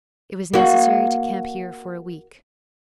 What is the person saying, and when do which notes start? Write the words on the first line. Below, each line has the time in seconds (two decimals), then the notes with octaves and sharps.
It was necessary to camp here for a week.
0.54 A#3 F#4